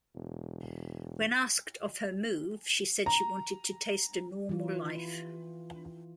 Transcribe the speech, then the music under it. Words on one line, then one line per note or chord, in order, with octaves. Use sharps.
When asked of her move, she said she wanted to taste a normal life.
E1
A#5
E3 F4